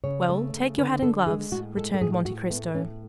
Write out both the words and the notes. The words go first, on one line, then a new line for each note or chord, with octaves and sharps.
"Well, take your hat and gloves," returned Monte Cristo.
C#3 C#5
A3
C#3
D3 B4
D3 A4
G#3 G#4
A2 F#4
G#3 A4
A4
A2 G#4
A2 F#4
A3 B3
A2 C#4